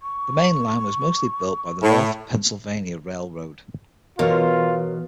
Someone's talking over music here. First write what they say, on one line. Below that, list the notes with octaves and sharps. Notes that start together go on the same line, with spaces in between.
The Main Line was mostly built by the North Pennsylvania Railroad.
C#6
A2
B2 E3 F4 A#4 C#5 F6